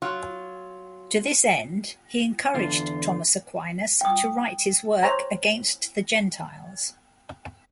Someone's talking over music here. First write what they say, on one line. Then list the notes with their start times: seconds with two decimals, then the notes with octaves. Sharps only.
To this end he encouraged Thomas Aquinas to write his work "Against the Gentiles".
0.02 F#3 F4
2.55 E2 D3 F4
4.01 G5 D#6
5.03 C5 C#5 A#5